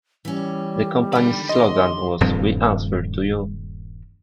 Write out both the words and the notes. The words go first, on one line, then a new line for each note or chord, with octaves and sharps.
The company's slogan was We answer to you.
E3 G3 C#4
D3 D#3 G4 B5
G4 D#5 C6
D#1 G2 F3 C4